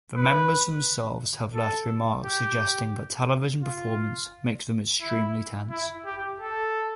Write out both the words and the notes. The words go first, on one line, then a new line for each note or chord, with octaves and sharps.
The members themselves have left remarks suggesting that television performances make them extremely tense.
B4
A4
G4
F4
E4
E4
G4
A4